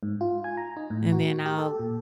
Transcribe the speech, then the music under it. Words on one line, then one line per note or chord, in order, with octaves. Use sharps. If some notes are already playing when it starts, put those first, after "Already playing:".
and then I'll,
G#2
F4
G#5
A#5
D#4
A2
F#4
G4
A4
A#2